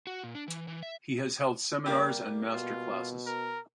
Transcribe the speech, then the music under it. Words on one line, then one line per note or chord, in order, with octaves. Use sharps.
He has held seminars and master classes.
F#4
A#2
D4
E3
E3
E5
G3 A#3 G4 D5
B2 F4
A#4